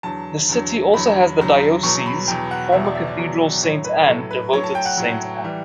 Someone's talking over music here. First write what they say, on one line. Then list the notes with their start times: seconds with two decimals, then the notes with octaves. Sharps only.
The city also has the diocese's former cathedral Sainte Anne, devoted to Saint Anna.
0.03 E2 D3 F#3 A5
0.49 E2 D3 F#3
0.94 E2 D3 F#3 B5
1.39 E2 D3 F#3
1.83 E2 B2 F#3 C#6
2.06 B5
2.27 E2 B2 F#3 G5
2.51 F#5
2.72 E2 B2 F#3 E5
2.85 D5
2.95 E5
3.07 D5
3.18 E2 B2 F#3
3.62 A2 F#3 C#5
3.85 B4
4.07 A2 F#3 A4
4.31 B4
4.53 A2 F#3 C#5
4.64 A5
4.75 G5
4.86 F#5
4.97 A2 F#3
5.44 E3 G3